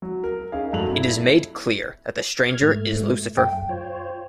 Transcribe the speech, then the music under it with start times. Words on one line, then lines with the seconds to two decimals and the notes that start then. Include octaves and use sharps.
It is made clear that the stranger is Lucifer.
0.02 F#3
0.24 A#4
0.52 C#4 D#4 G#4 F5
0.73 G2 F#3 A3 F7 F#7
0.91 B3 E4
2.46 F6 G#6
2.62 G#2 A3
3.37 F#2 G5
3.69 F4 C5 C#5